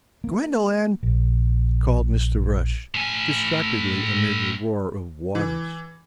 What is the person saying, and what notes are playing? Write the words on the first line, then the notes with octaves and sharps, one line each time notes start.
"Gwendolyn!" called Mr. Brush, distractedly amid the roar of waters.
A#3
A#1
A2 G#5
E3